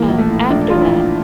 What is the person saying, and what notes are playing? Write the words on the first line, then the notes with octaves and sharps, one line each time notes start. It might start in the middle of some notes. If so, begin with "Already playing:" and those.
um, after that.
Already playing: E3 A#3
A#1
A3
A2
A#1 D4
E3 F4
E4
A#1